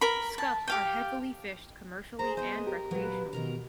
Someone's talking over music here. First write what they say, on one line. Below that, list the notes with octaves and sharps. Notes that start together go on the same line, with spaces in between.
Scup are heavily fished commercially and recreationally.
A#4 B5
A5
G4 F5 G5
G#4 C5 A#5
B3 C5 D#5
G4 A#4
A#2 F#3 B4
B2 D#3 A#4 A#5